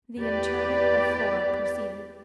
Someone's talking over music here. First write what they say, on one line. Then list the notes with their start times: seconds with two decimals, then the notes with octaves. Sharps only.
The interment of Flora proceeded....
0.17 E2 G4 B4 D5